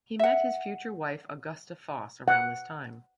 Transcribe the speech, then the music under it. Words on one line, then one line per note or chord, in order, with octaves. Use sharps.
He met his future wife Augusta Foss around this time.
E5 F#5
F#5